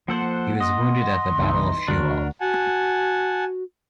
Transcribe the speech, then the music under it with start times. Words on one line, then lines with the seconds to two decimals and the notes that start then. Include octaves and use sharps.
He was wounded at the Battle of Shiloh.
0.08 F3 A#3 A4 C5 F#5
0.60 D#5 C6
1.38 C2 C#3 E3 B3 D#4
1.88 D2 D3 D4 F#4 A#4
2.41 F#4 F#5 G#5 A5